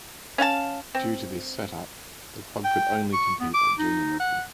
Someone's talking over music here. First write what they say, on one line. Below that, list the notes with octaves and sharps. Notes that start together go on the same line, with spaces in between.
Due to this set-up the club could only compete at Junior level.
C#4 F5 F#5 A5
C4
G5
C#6
B3
D6
D#4
F#5